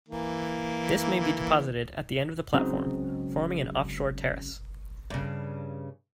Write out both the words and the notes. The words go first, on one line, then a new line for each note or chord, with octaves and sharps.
This may be deposited at the end of the platform, forming an off-shore terrace.
E3 A#3
C#3 F#3 G#3 C4 D#4
G2 C#3